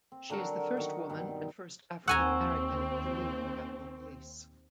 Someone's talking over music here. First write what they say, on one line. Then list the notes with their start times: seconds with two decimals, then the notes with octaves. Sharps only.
She is the first woman and first African American to lead the Capitol Police.
0.12 C4
0.30 D3 F#3 F#4 A#4
0.77 D#3 F#4 C#6
1.09 G2 B2 D#3 C4
2.08 D#2 C4 F#5 G#5 A#5 C#6 E6